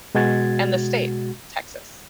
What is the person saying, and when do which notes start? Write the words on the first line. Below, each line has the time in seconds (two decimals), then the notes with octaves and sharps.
And the state, Texas.
0.15 B2 G#3 F#4 G#6 A6